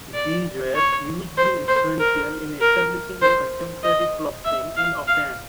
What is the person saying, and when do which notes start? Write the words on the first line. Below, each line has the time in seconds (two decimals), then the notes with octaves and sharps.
These were hugely influential in establishing a contemporary club scene in Auckland.
0.14 D5
0.75 C#5
1.37 C5
1.68 C5
1.99 A#4
2.61 A#4
3.22 C5
3.83 D#5
4.45 E5
4.76 F5
5.07 F5